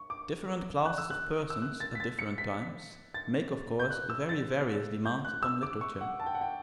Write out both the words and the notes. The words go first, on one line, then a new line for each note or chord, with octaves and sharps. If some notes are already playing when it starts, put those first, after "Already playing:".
Different classes of persons, at different times, make, of course, very various demands upon literature.
Already playing: C#6
D6
F#6
E6
F#6
E6
F#6
A6
B6
A6
C#7
B6
A6
G6
F#6
E6
A6
G6
F#6
E6
D6
C#6
F#5
A5
G5
F#5
G5